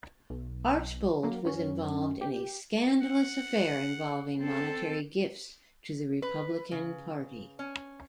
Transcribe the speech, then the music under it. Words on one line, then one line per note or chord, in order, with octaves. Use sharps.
Archbold was involved in a scandalous affair involving monetary gifts to the Republican Party.
B1
F#3 A#3
F#2 C#4
G4
F#5
C4 A4
B4
C#3
C#4